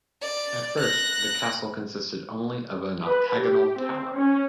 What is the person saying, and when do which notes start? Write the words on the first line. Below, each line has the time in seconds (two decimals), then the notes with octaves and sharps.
At first the castle consisted only of an octagonal tower.
0.22 D5
0.80 F#6 A#6
3.05 B4
3.39 G4
3.78 C4
4.16 C#4